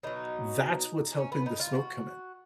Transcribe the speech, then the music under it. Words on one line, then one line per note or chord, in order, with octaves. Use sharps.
that's what's helping the smoke come in.
B2 F#3 D#4
C#4
B3
D#4
F4
F#4